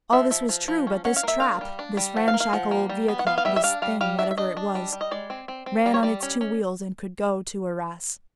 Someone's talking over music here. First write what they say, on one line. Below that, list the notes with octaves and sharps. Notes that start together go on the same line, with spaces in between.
All this was true; but this trap, this ramshackle old vehicle, this thing, whatever it was, ran on its two wheels and could go to Arras.
F3 E5
F3 E5
F3
F3
C#4
C#4 F#5
F5
A#3 E5
D4 F5
G3
D4
G3
F3 F#5
F5
A#3
F5
F3 F#5
A#3
G3
B3
F#5
B3 F5
F5
G3 E5
E5
D4 F5
G3 F5
G3 F5
D4 E5
E5
D4 D#5
D4
G3
G3
D#5
G#3 D5
C4
C4
C4
G3 D5
C#5
G3 D5
C#4
C#4